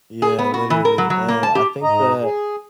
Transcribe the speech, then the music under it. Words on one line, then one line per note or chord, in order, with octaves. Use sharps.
Yeah, literally, and I think that,
G#4
B3
F#4
E3
A#4
F#3
F#3
A#3
A5
G4
G#2 D#5 A#5
G#4